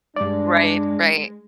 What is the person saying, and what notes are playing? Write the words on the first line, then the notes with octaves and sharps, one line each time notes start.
Right, right.
G2 G#3 D4 D5